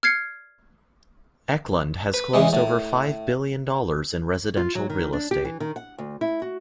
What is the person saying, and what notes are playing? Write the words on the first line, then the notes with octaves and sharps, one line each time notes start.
Eklund has closed over five billion dollars in residential real estate.
F6 G#6 C7 C#7
B4
E2 E3 G#3
A2
F4
F#3
D#3
D4
G4
E3
D#3
F#5
D2
E4
F#4